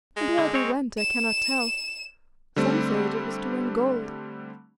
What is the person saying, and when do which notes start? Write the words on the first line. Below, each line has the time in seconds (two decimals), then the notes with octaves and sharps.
And why they went I cannot tell: some say that it was to win gold.
0.17 G#3
0.38 D3
0.54 C4 C#5
0.98 E7
2.56 D3 G3 A3 C4